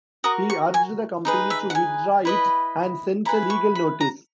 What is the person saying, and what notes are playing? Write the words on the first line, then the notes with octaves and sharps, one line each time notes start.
He urged the company to withdraw it and sent a legal notice.
F#4 A#4 D#6
C#6
G#5
D#4 G#4 B4
E5
F#5
G#5
E4 B4 D#5
E4 G#4 B4 A#5
C#6
B5
A#5